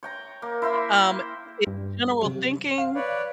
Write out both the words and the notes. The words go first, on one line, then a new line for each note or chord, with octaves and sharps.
um, in general thinking,
C#5 G5 A#5
A#3
E4 C5 E5
G5
G2
C3 F#3
F5
B4 C#5 D5